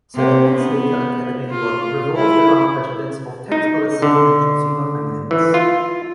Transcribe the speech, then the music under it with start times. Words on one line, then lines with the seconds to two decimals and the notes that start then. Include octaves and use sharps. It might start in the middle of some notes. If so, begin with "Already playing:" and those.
Seligman's later academic work revolved around questions of tax policy and consumer finance.
0.15 C3
0.57 B3
1.50 F4
2.16 E4
3.52 D#4
4.02 D3
5.31 E3
5.54 F4